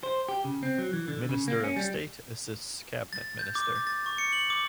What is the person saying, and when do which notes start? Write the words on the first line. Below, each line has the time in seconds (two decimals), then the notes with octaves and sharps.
Minister of State assists cabinet minister.
0.03 C5
0.29 G4
0.44 C#3
0.63 C4
0.78 F#3
0.93 E3
1.08 D3
1.29 C#3
1.48 A#3
1.64 C#4
1.76 G3
3.13 A6
3.39 G6
3.55 D6
3.75 A6
3.87 A6
4.06 C#6
4.18 C#7
4.33 F#7
4.50 D6